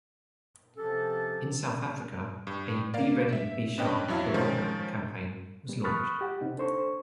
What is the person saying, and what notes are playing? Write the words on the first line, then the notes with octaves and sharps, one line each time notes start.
In South Africa a "Beready Besharp Berocca" campaign was launched.
C3 F3 C4 C#4 G4 A4
G2
A#3 D5 F5
E5
B3 C#4 D4 B4 D#5 G5
F2 F#3 E4 E5 F5
D#3 F3 G#3 C#4
G3 B3
B5 C#6 D#6 F6 F#6 A6
G4 F#5
C3 C4 D#4
D4 A4 C5 C#6